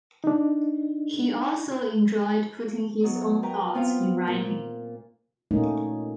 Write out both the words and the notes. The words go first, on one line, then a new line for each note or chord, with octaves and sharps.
He also enjoyed putting his own thoughts in writing.
D4 D#4
F#3 B3 D#4
A#4 B4 G5 A#5
B3 C4 F4 F5
A#2 A#3
A#2 A3 A#3 C#4 D#4